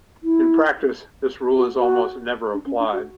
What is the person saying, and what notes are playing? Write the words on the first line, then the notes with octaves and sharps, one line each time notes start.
In practise this rule is almost never applied.
E4
F#4
F#4
D4
C#4
D4
F#4